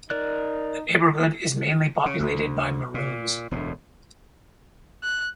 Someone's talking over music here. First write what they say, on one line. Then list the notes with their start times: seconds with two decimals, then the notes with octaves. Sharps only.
The neighbourhood is mainly populated by Maroons.
0.10 D#4 A#4 D5 F#6
2.06 C#3
2.20 D2
2.94 A#2
3.51 E1 D2 A2
5.03 F#6